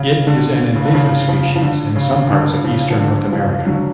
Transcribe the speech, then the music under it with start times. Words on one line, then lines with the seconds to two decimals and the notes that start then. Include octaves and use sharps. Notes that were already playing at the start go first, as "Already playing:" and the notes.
It is an invasive species in some parts of eastern North America.
Already playing: C#3
0.27 D3
0.75 C#3
0.85 D3
0.94 C#3 F3
1.28 C#3 F3
1.56 F3
1.62 D3
1.96 C#3
2.30 D3
2.64 C#3 F3
2.90 F3
2.97 D3
3.32 C#3 F3
3.66 D3 F#3